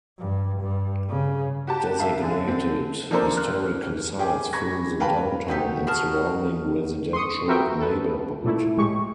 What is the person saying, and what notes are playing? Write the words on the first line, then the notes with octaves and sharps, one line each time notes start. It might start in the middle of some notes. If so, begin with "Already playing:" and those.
Designated historical sites fill the downtown and surrounding residential neighborhood.
G2
G2
C#3
F#4 G4 A5
E5 F5 A5
D3 G#4
D3 C4
F3 A#3 D4 A4 A#4 C5
F6 F#6
G4 G#4 G5
B5 C#6 G#6 A#6
B4 F5 G5 A5 B5
C3 D#4 F#4 G4
G#4 A#4 A5 C#6 F6
C6 C#6 D#6 C#7
C4 F#4 A#4 B4 E5 G5
A4 B4
A#2 A3 E4
A2 G#3 G4 C#6